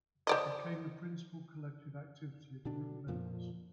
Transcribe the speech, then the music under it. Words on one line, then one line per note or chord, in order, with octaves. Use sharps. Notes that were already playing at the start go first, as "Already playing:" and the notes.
It became the principal collective activity of group members.
C5 D5 D#5
B2 D3 D4
F2 A#2 F3